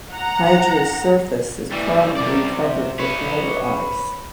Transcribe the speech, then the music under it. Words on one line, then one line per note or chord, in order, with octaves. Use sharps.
Hydra's surface is probably covered with water ice.
F#5 A#5
E3 G3
C3 D5
B4 C#5